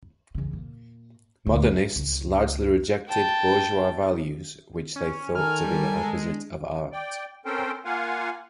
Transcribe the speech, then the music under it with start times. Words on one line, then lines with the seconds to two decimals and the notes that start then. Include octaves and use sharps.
"Modernistes" largely rejected bourgeois values, which they thought to be the opposite of art.
0.35 E2 C#3
0.53 A#2
1.47 D2
1.72 G3
1.96 C#2
3.09 G5 A5
4.96 C#4
5.35 D#3 A4 A#4 G#5 F6
5.64 G3
5.98 G#3
6.29 D4
6.92 D5 G5
7.45 C4 C#4 A4 A#4 C5 G5
7.85 A#3 F4 F5 F#5 G#5